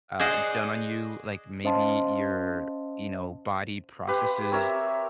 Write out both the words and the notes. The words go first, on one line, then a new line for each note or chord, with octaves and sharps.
uh, done on you, like, maybe your you know body processes
G#4 C5 D5 D#5 F#5
C#4 C5 D#5 F5 A5 C6
G4 B4 F5 C6
C4 A#4 C#5 E5